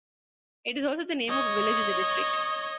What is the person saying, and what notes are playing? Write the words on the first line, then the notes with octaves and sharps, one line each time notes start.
It is also the name of a village in the district.
C#5 D#5